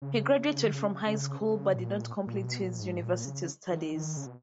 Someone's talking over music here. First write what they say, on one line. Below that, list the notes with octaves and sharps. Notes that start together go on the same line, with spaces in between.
He graduated from high school but did not complete his university studies.
C#3
D#3
C#3
C#3
C#3
A#2
A#2
B2
A#2
G#2
A#2
C#3
D#3
D#3
C#3
B2